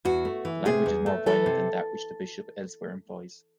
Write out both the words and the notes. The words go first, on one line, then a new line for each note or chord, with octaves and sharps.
The language is more violent than that which the bishop elsewhere employs.
E2 F#4
A3
E3
C3 G#4
E2
A3
E3 A4
C3